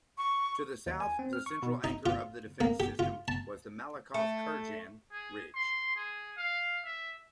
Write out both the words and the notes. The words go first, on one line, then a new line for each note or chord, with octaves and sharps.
To the south the central anchor of the defence system was the Malakoff-Kurgan ridge.
C#6
D#2
G#5
C4
F6
C#6
B2
D#4
F4
A#3
G4
F4
A5
A3
G#4
C6
G#4
F5
E5